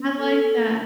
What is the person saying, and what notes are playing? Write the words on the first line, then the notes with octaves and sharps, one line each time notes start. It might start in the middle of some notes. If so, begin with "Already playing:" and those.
I like that.
Already playing: B3 C#4
A4
A#4